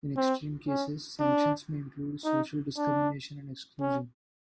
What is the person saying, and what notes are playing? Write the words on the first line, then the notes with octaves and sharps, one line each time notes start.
In extreme cases sanctions may include social discrimination and exclusion.
C4
C#4
D4
D#4
D4
C#4